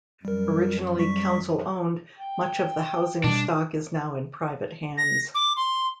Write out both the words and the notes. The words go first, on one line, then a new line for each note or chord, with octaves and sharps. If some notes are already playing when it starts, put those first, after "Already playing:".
Originally council owned, much of the housing stock is now in private hands.
F#2 G3 A#4
G3 C#6 B6
G5
B2 G3 D4
A#6
D6
C6